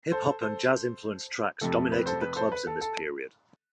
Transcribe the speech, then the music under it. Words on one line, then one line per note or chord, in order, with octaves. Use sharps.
Hip hop and jazz influenced tracks dominated the clubs in this period.
A4 C5
A4 C5
F2 C3 F3 A3 A4
A4
B4
A4 C5
B4
A4 C5
B4
A4
A4